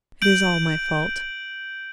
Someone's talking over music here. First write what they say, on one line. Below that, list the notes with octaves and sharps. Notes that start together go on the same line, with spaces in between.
It is all my fault.
G6 D7 F#7